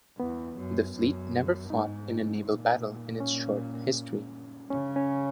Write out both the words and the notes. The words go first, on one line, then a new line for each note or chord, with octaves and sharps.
The fleet never fought in a naval battle in its short history.
E2 B3
F#2
F#2
G#2 D#4
A#2
C#4
C#3 C#4
C#4